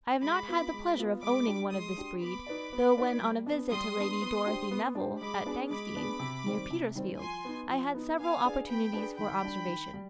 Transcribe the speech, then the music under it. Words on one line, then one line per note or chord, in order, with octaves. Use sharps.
I have not had the pleasure of owning one of this breed, though when on a visit to Lady Dorothy Nevill, at Dangstein, near Petersfield, I had several opportunities for observation.
G#3 B5 D6
B3 F4
G#3
B3 F4
G#3 B5 D6
D4 G4
G#3 C6 D#6
D4 G4
B3 B5 D6
D#4 B4 D5
B3
D#4 B4 D5
G3
B3 D4
G3 C6 D#6
B3 D4
B3
D4 G4 C5
B3
D4 G4 C5
G#3 B5 D6
B3 D4 G#4
G#3 B5 D6
B3 D4 G#4
C3
D#3 G3 C4
C3
D#3 G3 C4
F3 G#5 C6
B3 D#4
F3
B3 D#4
B3 F5 G#5
D4 G#4 B4 D5
B3 G5 B5
D4 G#4 B4 D5
D#3 G5 B5
G3 D4
D#3
G3